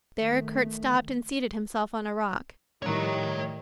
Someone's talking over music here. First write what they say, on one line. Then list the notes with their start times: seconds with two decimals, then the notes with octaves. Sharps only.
There Kurt stopped and seated himself on a rock.
0.20 D#3 A3
2.83 A2 D#3 G3 C#5 A#5